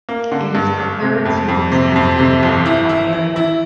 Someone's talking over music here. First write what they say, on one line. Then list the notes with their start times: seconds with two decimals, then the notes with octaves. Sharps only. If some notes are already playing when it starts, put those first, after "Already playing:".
It is the third-smallest county in Vermont by area.
0.09 A#3
0.32 D3
0.55 G2
0.78 G1
1.02 C3
1.25 F2
1.48 F2
1.72 C3
1.96 F2
2.19 C3
2.43 G1
2.66 E4
2.89 E4
3.13 E4
3.36 E4